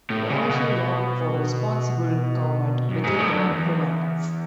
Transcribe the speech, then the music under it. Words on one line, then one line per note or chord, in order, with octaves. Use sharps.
He also lobbied for responsible government within the province.
A2
C#3
B2
F#2
G#2
A2
F#2
E2